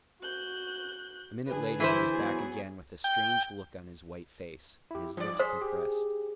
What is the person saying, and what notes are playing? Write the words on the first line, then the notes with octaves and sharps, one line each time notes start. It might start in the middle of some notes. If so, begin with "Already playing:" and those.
A minute later he was back again, with a strange look on his white face, and his lips compressed.
F#4 F#6 G6
D3 G#4 B4
E3 E4 C5
F#3 B3 G#4
G5
E4 G4
G2 F3 D5
G#4 C5 C6 B6
G4